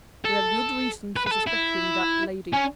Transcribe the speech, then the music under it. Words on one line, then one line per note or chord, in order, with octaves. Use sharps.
We have good reasons for suspecting that lady.
A4
B4
B4
A4
E4
C#4